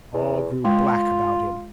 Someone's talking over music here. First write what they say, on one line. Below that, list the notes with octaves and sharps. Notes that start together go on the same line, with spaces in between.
All grew black about him.
E2
G#3 F4